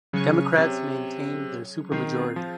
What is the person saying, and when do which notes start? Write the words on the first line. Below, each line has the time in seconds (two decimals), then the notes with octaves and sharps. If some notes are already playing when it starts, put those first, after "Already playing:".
Democrats maintained their supermajority.
0.13 C#3 F#3 C#4 G#4 C#5
0.58 C3
1.92 D#3 C4 F4 G#4
2.36 F3